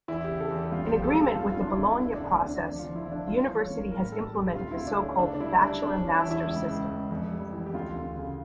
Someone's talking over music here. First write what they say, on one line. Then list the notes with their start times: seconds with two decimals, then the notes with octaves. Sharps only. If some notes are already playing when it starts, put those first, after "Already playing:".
In agreement with the Bologna process, the university has implemented the so-called bachelor-master system.
0.08 E2 E4
0.24 C#3 G4
0.40 A4
0.51 E2
0.56 G4
0.72 G2 F4
0.88 G4
0.93 F3
1.04 A4
1.14 G2
1.20 A4
1.36 G2 F4
1.52 F4
1.57 D3
1.62 D4
1.68 E4
1.78 D3
1.84 D4
2.00 D2 E4
2.16 D4
2.21 D2
2.32 D4
2.42 D2
2.47 D4
2.64 F3 D4
2.79 F4
2.85 F3
2.96 E4
3.06 F3
3.11 D4
3.27 G2 F4
3.49 E3
3.59 C#5
3.70 G2 A#4
3.91 A2 A#4
4.12 G3 A4
4.34 G3 G4
4.55 D2 F4
4.71 E4
4.76 D2
4.87 D4
4.98 A3
5.03 C#4
5.19 C#3 D4
5.35 D4
5.40 G3 E4
5.61 G3 D4
5.82 G3 D4
5.98 C#4
6.04 E3
6.15 E4
6.26 E2
6.31 E4
6.47 C#2
6.67 C#2
6.90 C#2
7.11 F2
7.31 G3
7.53 E3
7.66 G4
7.74 D2 F4
7.96 D2
8.17 C#3